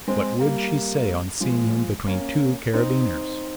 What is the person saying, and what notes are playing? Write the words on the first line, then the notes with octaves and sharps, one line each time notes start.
What would she say on seeing him between two Carabineers?
G#3 C4
G3 A#3
F3 G#3
A#3 C#4
C4 D#4